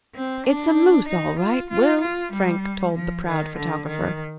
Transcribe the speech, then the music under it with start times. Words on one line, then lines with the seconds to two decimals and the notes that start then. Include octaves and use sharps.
"It's a moose, all right, Will!" Frank told the proud photographer.
0.16 C4
0.46 D4
1.08 D#4
1.39 F4
1.70 F4
2.01 F4
2.33 G3
2.94 F3
3.25 D#3
3.56 D3
3.87 D#3